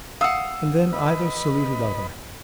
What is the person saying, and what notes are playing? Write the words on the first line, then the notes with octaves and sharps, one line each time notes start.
And then either saluted other.
F5 F#5 D#6 E6
B4 D#5 B5